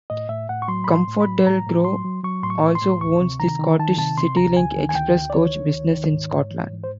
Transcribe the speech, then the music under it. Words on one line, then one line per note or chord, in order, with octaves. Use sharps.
ComfortDelGro also owns the Scottish Citylink express coach business in Scotland.
A2 D#5
A2 E5
A2 F#5
C#6
F#3 C6
A2 B5
C6
A2
B5
F#3
A2 A#5
A2
F#3 C6
F#3
F#3 C#6
A2 C6
C#6
A2
C6
A2
D2 C#6
C3
D#3 A#5
D#3
D#3 A5
C3 A5
C3 C6
D2 A#5
D2 G#5
D#3
G#5
D2 G5
D2
D5
D#3 C#5
D#3
D2
D#3
G#2
G#2
E3
G#2
C5